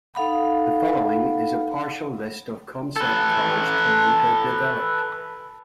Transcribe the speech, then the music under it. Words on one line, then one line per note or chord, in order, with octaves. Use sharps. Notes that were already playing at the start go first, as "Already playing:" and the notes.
The following is a partial list of concept cars Toyota developed.
D#4 A4 F5 F#5 B5
A4 B4